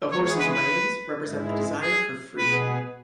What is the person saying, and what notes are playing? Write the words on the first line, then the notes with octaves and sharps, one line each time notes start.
The horse's reins represent the desire for freedom.
E3 G#3 B3 G#4 C#5
C#5
B4
B4
G#2 G#3 E4
G#4
B2 B3 G#4 B4